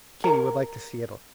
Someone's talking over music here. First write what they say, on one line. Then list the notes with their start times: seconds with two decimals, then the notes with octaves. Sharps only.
Katy would like to see Italy.
0.24 A#4